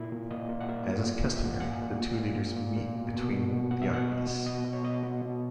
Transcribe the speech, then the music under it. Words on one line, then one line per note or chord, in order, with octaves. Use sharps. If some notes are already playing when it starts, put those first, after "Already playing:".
As is customary, the two leaders meet between the armies.
Already playing: A#2 E4
A#2
A#2 D#5
A#2
F#5
A#2 E5
A#2
A#2
A#2
E5
A#2 F#5
A#2 F#5
G#5
A#2
A#2
A#2
A#2
A#2
A#2
B2
B2
B2
B2
B2 F#5
E5
B2 F#5
B2 D#5
B2
B2 D#5
B2
C#5
B2 D#5
B2
B2